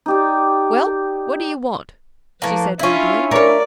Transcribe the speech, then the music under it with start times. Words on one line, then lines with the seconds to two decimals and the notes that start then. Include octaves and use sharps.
"Well, what do you want?" she said rudely.
0.06 D#4 G4 D5
2.42 A2 F3 A#3 B4
2.79 C#4 D4 E4 F4 E5
3.31 A#4 C#5 D5